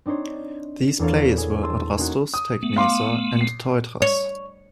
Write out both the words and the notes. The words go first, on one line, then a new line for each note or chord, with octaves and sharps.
These plays were "Adrastus", "Tecmesa" and "Teutras".
C4 D4 D#4 C5 C#5
E2 A#3 D4 A4 C#5 F5
G#4
C5 A5 C6 E6
A#3 C#4 D#4 F#4
D#6
A3 B3
F5 C6 D6
C7
C#5